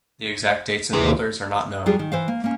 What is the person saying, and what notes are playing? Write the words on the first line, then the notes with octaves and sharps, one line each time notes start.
The exact dates and builders are not known.
D#2 C3 E3 G#4
F#3 G3 F4 G4 G#4
D#3
E3 C5 F5
A#3
A#3 C#4